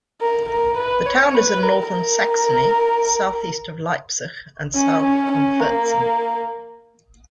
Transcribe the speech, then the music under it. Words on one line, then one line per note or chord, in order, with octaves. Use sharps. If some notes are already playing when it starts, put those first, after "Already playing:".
The town is in northern Saxony, southeast of Leipzig and south of Wurzen.
A#4
A#4
B4
C#5
B4
A#4
A#4
C#4
C#4
C#4
A#3